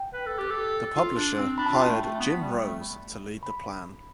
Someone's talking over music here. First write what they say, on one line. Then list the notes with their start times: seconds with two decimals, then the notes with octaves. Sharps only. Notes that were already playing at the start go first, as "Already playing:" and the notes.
The publisher hired Jim Rose to lead the plan.
Already playing: G5
0.13 B4
0.26 A4
0.38 G4
0.51 A4
0.96 F4
1.17 D4
1.38 C4
1.58 D4 B5
1.66 A5
1.73 F4 G5
1.82 A5
1.88 A3
2.04 A3
2.20 B3
2.40 G3
2.60 A3
2.81 B5
3.43 B5